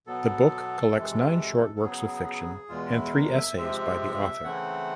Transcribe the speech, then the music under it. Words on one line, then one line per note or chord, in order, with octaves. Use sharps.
The book collects nine short works of fiction and three essays by the author.
B2 F#3 B3 A4
F2 C3 E3 G#3
A4
C#3 F#3 B3 G#4
E2 B2 G#3 F4
E4
A#4
E5
C3 F3 G#3 C4 E5
C#3 E3 A3 C4 F#5